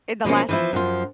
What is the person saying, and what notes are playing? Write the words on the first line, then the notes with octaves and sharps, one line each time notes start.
in the last
B2 F3 A#3 C#4
E3 F3 E4
F#2 F3 F4